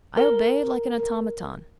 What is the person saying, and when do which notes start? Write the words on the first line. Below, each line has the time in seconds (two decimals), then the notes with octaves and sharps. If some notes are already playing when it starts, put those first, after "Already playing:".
I obeyed like an automaton.
0.17 A#4